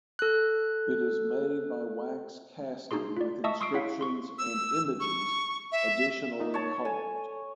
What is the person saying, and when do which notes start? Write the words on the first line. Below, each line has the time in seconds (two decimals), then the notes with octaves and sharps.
It is made by wax casting with inscriptions and images additionally carved.
0.19 A4 F#6
2.91 A#3 D4 D#4 F#4 G#4 C6
3.16 F4 D5
3.44 D#5 E5 A5 C#6 D#6 E6
3.61 C6 C#6 D#6 E6 C7 D7
3.74 E4 C#5 F5 F#5 B6
4.01 C6 C#6
4.38 E6
5.00 C#6
5.72 E5
6.39 A#3 D#4 F4
6.54 C#5 A5
6.85 A4 G#5